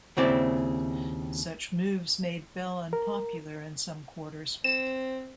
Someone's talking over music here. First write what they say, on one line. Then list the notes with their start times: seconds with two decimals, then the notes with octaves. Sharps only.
Such moves made Bell unpopular in some quarters.
0.17 D#2 C#3 C4 E4 D5
2.93 A#4
4.64 C4 E7